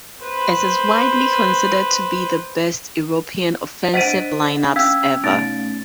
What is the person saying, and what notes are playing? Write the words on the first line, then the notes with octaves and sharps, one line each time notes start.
It is widely considered to be the best European offensive lineups ever.
B4 C5
D4 C5 D#5 F#5 A6 B6 D7 D#7
C#4 F5 G5 E6 G#6 B6
B2 A3 C#4 D#4 A6 D7